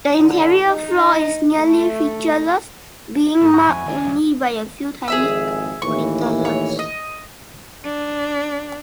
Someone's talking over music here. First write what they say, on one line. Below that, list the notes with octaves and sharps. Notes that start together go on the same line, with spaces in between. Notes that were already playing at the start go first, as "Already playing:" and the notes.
The interior floor is nearly featureless, being marked only by a few tiny craterlets.
D3
D#4
A3
C2 G#2 A3
E4 F#4 A#5
F2 G#5
D#2 D4
G2 C#3
G#1 F2 G#4 E5 E6
D#2 A2 E3 C#6
C#5
D#5
D4